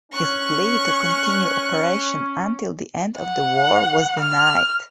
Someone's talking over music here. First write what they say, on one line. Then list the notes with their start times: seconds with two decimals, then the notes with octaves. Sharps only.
His plea to continue operation until the end of the war was denied.
0.12 C#4 C#6 F#6
3.19 F#5
4.20 F6